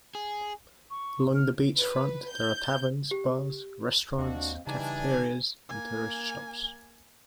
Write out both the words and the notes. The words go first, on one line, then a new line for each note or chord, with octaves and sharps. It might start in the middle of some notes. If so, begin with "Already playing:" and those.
Along the beach front there are taverns, bars, restaurants, cafeterias and tourist shops.
G#4
C#6
F6
B4
G6
G4
D#2 C4 D4 F#4 D#5 F5
C#3 E3 G3 D4 D#4 G#5 A5
A#3 G#5